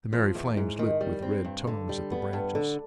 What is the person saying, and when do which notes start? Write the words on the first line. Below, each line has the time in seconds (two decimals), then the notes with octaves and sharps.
The merry flames licked with red tongues at the branches.
0.13 F3
0.35 E2
0.57 G#2
0.79 D#3
1.01 G3
1.22 C4
1.45 G2
1.67 D3
1.89 G3
2.11 B3
2.33 G2
2.55 D3